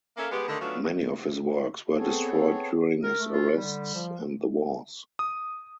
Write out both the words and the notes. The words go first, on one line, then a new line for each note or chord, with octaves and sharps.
Many of his works were destroyed during his arrests and the wars.
A#3 C#4 A4 A#4 E5 F5
G#3 B3 G4
D3 D#3 A3
F#3 A3 B3 C#4 D4 F4
B3 C4 G#4 A4 C#5
A#4
A3
F4
D3 G3
F3
D#6